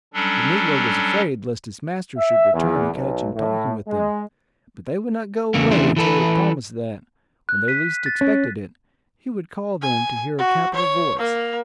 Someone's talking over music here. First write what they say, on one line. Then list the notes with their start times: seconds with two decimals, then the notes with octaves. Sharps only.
The negro was afraid lest his master should return and catch him talking with them; but they would not go away until he had promised that, when they least expected it, he would call them to hear a capital voice.
0.14 F#3 G3 C#4 D4 A4
2.17 E5
2.53 E2
2.93 B1
3.35 A2
3.87 G#3
5.54 E2 C#3 A3 A#3
5.71 E2 C#3 E3 A3 D4 C5
5.96 E3 A4 B4
7.49 F#6
7.68 B6 D#7
8.06 A6
8.21 C#4
9.82 G#5
10.38 F#4
10.74 C#5
11.19 A#3